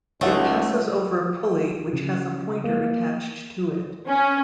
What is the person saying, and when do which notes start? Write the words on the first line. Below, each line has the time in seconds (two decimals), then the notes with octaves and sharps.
It passes over a pulley which has a pointer attached to it.
0.21 C#2 A3 D#4 C#5 F#5
1.93 C#3
2.64 A#3
4.07 C#4